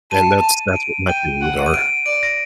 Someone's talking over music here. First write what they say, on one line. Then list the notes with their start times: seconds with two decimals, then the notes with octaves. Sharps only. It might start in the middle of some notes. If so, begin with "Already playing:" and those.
And that's that's what my feelings are.
0.11 A5 D#7
0.44 D#7
0.68 D#7
0.76 D7
1.09 G5 D#7
1.41 F#5
1.66 D#7
1.74 D7
2.06 D5 D7
2.23 A#6